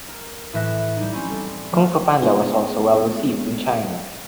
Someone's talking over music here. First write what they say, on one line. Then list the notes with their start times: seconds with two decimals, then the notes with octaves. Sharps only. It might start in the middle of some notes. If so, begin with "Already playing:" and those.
"Kung Fu Panda" was also well received in China.
0.09 A#4
0.53 A2 E3 E5 F#6 A#6
0.97 G3 D#4
1.12 C4 C#4 E4
1.29 G3 C4 A4
1.72 F3 F#3 A3 A#3 F4
2.22 G#3 B3 D4 F4 G#4